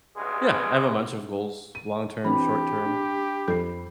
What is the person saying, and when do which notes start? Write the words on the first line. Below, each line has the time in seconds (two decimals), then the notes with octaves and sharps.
Yeah. I have a bunch of goals, long-term, short-term,
0.17 A1 G2 B2 G#3 G#4
1.75 D#7
2.25 E3 C4 D4 G4 B5
2.86 D4
3.48 F2 A4 C7